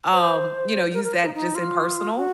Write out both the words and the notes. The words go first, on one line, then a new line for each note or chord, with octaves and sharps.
um, you know, use that just in personal?
C5
A#4
A#4
C5
D#4
D#4
F4
F#4